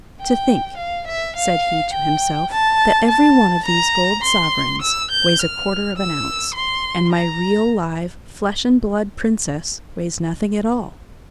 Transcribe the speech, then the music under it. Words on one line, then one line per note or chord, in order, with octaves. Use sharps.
"To think," said he to himself, "that every one of these gold sovereigns weighs a quarter of an ounce, and my real, live, flesh-and-blood princess weighs nothing at all!"
G5
F5
E5
F5
G5
A5
A5
A#5
C6
E6
G6
F6
E6
C6
A#5